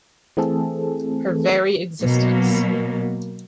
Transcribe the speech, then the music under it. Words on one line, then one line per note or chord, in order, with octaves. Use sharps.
Her very existence.
E3 A3 C4 G#4 A4
B2 F#3 A#3